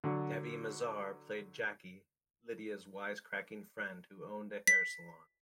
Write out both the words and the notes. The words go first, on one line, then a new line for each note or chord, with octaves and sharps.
Debi Mazar played Jackie, Lydia's wise-cracking friend who owned a hair salon.
D3 F#3
B6